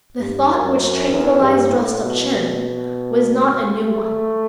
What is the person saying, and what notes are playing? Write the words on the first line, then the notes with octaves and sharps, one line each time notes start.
The thought which tranquillized Rostopchin was not a new one.
G2
F#2
F#2
E2
G2
A2
B2
A3